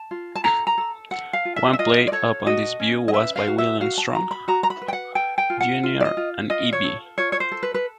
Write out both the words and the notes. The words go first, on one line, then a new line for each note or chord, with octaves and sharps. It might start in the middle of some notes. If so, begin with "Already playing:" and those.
One play upon this view was by William Strunk, Junior and E. B.
Already playing: A5
F4
A5
A4 A#5
A#5
A4
A4 F#5
F5
F4
E5
E5
F4 D#5
D5
A4 C#5
F#4 D#5
C#4
D#5
B4 E5
F5
F#4
E5
F#4 F5
A5
F#4 A#5
B5
F#4 A#5
A#5
B5
B4
G5
F#5
A4 G5
G5
F4
F#5
F4
D5
D#5
F4
F4 D#5
C#5
A4
F4 C#5
C#5
C5
A4
B4
B4